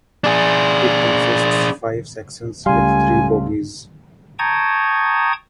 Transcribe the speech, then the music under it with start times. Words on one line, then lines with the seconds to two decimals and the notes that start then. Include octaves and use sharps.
It consists five sections with three bogies.
0.24 D4 G#4
2.66 C#2 C#3 G3 A3 F5 G#5 C6
4.39 G5 A5 A#5 C#6 D#6 G#6